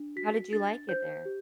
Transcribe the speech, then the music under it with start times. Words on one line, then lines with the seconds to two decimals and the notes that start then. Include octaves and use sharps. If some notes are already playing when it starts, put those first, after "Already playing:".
How did you like it there?
Already playing: D4
0.16 F#4 B6
0.53 D4 A6
0.89 C5 G6
1.25 G4